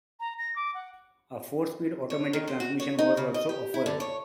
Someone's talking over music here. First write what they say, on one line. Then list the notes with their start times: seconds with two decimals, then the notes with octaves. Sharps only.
A four-speed automatic transmission was also offered.
0.20 A#5
0.38 A#6
0.56 D6
0.74 F#5
2.10 C#5
2.33 D#3
2.48 C5
2.60 F#4
2.80 C#5
2.99 D#4
3.17 C#3
3.34 D#5
3.49 G4
3.74 E4
3.86 D3
4.00 C#5